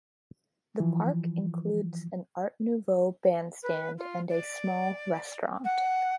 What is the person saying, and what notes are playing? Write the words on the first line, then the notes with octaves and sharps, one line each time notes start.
The park includes an Art Nouveau bandstand and a small restaurant.
E3 F3
B4
F4
D5
F#5